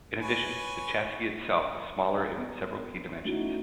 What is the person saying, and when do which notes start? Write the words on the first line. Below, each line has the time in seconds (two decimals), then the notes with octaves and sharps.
In addition, the chassis itself was smaller in several key dimensions.
0.21 B4 C#5 G#5
2.38 B3
3.25 A3 C#4 D#4 E4 F#4